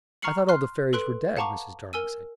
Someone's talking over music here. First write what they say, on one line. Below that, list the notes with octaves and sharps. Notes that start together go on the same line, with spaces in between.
"I thought all the fairies were dead," Mrs. Darling said.
A#5 C#6 F6 C7 C#7 F#7
C6 F6 F#6 C7
A4 B4 C6 F#6 D7
F5 F#5 A5 A#5 C#6 D6
A#4 G#5 E6 D#7